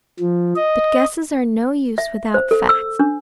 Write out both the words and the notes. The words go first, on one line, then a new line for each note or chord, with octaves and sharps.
But guesses are no use without facts.
F3
D#5
E5
C5
A4
E6
D4